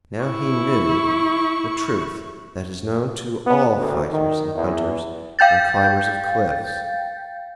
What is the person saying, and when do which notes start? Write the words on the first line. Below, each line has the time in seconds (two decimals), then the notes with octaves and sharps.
Now he knew the truth that is known to all fighters, and hunters, and climbers of cliffs.
0.24 E4 C#6
3.44 B3
3.78 D2
4.10 D#3
4.53 E2
5.39 F5 G5 G6 A6